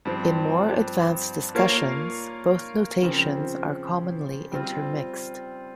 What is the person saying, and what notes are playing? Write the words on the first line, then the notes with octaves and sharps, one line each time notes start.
In more advanced discussions, both notations are commonly intermixed.
G2 F3 C4
A#3 F4 A#4 C#5 F5
C#3 F3 C4
G3 C4 F4